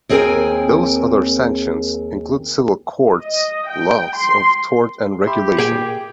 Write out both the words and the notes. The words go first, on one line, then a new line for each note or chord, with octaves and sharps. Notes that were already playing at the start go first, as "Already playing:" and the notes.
Those other sanctions include civil courts, laws of tort and regulation.
D#2 C4 G#4 A#4 G5 G#5
D#5
G5
C6
G4 E5 B5 C6
A#2 G#4 G5 G#6